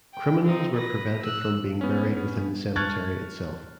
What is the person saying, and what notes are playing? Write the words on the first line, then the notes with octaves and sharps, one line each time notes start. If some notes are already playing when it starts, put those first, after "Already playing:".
Criminals were prevented from being buried within the cemetery itself.
G5
C4 D#4
B4 A#6
E6 F#6
B3 C#4
A5 C#6 F6 F#6 G#6 A6